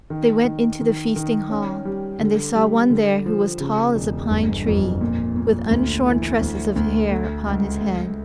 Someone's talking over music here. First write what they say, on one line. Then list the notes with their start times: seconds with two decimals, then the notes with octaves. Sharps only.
They went into the feasting hall and they saw one there who was tall as a pine tree, with unshorn tresses of hair upon his head.
0.10 D#3
0.45 D#3
0.81 D#3
1.16 D#3
1.50 C#4
1.85 G3
2.20 D3
2.55 G3
2.90 D3
3.26 F3
3.60 C#3
3.96 E1
4.30 G1
4.66 F2
5.01 A#2
5.37 A#2
5.71 D2
6.06 E3
6.41 D2
6.76 D2
7.12 A3
7.46 C#2
7.81 A3